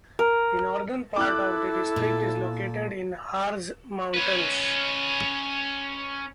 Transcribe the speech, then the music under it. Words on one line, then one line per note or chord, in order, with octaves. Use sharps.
The northern part of the district is located in the Harz mountains.
A#4
E4 A4 D6 F#6
A#2
C#4 B4